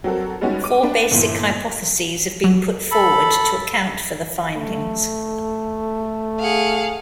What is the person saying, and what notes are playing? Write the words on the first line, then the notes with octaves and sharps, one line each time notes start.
Four basic hypotheses have been put forward to account for the findings.
F#3 C4 F#4 A4 A#4
G3 G#3 B3 C#4 D#4 F#4
D6 D#7
A#3 B3 D4 B4
G1 A#2 E3
F#3
A4 B5
A3
G#4 F5 F#5